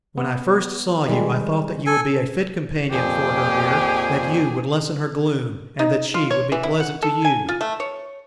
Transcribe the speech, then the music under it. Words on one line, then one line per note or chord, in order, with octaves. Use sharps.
When I first saw you I thought that you would be a fit companion for her here--that you would lessen her gloom, and that she would be pleasant to you.
B3
D#3 G3 G#3
A4 G#5
F2 A#2 F3 G4 G#4
D#4
F4
C#5
E3
E4
F#5
A4
G#5
F4
A3
C#5